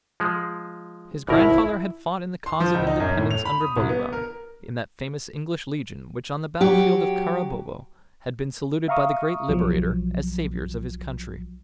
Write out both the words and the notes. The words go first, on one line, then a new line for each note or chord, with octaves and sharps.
His grandfather had fought in the cause of independence under Bolivar, in that famous English legion which on the battlefield of Carabobo had been saluted by the great Liberator as Saviours of his country.
F3 G#3
G#1 B2 E4 A#4
C6
F3
C#2
D#4
F#2
A2
F7
B5
D#6
C2
B3
A#4
F#3 G4
E5 F5 A#5 C#6 D#6
B1 F3 F#3